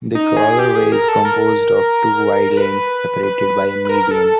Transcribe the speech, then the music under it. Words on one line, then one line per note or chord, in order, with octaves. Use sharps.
The crawlerway is composed of two wide lanes, separated by a median.
D#4
G#4
G4
G#4
A#4
A4
A#4
B4
B4
B4
A#4
A4